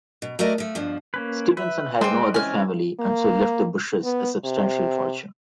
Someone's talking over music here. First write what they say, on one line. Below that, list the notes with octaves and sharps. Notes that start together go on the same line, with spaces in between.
Stevenson had no other family and so left the Bushes a substantial fortune.
B2
A3 F#4 A#4 D5 D#5
F3 A3
G2 B2 F3
A#3 C#4 B4
B4 E5
G#3 C4 C5 D#5 G5 D6
E3 C4 C#4 G#5 F6
A#3
B3
C3